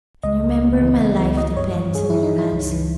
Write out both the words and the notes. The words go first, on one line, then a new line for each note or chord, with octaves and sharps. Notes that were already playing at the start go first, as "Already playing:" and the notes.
And remember my life depends on your answer.
C#2 D#5
C#2
C#3
E3
C#2
E3
E3 D#5
G2 C#5
G2
G2 G#4
E4
E3
D#4
G2 E4
C#2
E3